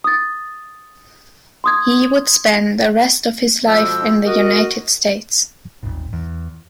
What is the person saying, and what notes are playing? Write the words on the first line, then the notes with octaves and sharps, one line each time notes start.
He would spend the rest of his life in the United States.
D#6 A6
C6 D#6 G#6
F2 B2 F3 G#3 G5 E6
F#4 A#4 D#5
D#1 G#1
E2